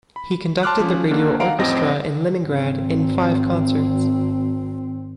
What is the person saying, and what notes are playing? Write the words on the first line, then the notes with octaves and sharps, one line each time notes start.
He conducted the radio orchestra in Leningrad in five concerts.
B5
A5 C6 D6 F6 F#6
F3 C#4
D3 D#3 A#3 D4
D#3 F5 F#5 A#5 D7
A1 F2 C4 D#5 A#6
G#1 C4